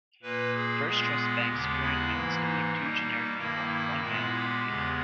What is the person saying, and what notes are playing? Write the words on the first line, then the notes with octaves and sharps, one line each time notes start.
First Trust Bank's current notes depict two generic people, one male, one female.
A#2 A#3 B4
G#4
A#2 G#3 B3 G#4
D#2 C#3 G#3 B3 G4
E4
G#2 E3 A#3
D#4
B2 G3 A#3
G2 D#3 A#3 E4
E4
A#2 G#3 B3 E4
G4
E2 C#3 G#3 B3